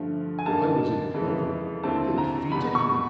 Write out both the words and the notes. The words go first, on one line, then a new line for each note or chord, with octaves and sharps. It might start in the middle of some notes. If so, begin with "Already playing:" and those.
I was in clover. They fêted me.
Already playing: G2 D3 F3 A3
G#5
F#2 D3 G3 A#3 D#4 A5
F2 C#3 E3 G#3
D#2 D3 G3 C4 E4 A5
A#5
E2 B2 G3 B5
C#6